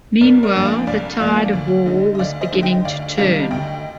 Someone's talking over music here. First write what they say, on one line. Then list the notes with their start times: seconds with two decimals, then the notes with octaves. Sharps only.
Meanwhile, the tide of war was beginning to turn.
0.21 C2 A#4 D5
0.43 A#4 D5
0.54 A#2 F3 A#3 D4
0.65 D5 F5
0.87 C2 D5 F5
1.20 A#2 F3 A#3 D4 D5 F5
1.53 D2
1.86 D3 G#3 D#4
2.15 D#5
2.19 D2 D5 F5
2.41 C5 D#5
2.52 D3 G#3 D#4
2.63 D#5 G5
2.85 D2 D5 F5
3.18 C3 D#3 G3 D4 D5 F5
3.51 D2 D#5 G5